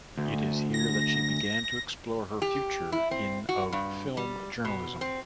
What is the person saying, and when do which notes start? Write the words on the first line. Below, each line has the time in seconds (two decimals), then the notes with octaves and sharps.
It is here that she began to explore her future in of film journalism.
0.17 D2
0.74 A#6
2.42 G4
2.92 E4
3.11 C4
3.49 F#4
3.72 G2
4.17 G3
4.65 B2
5.01 C4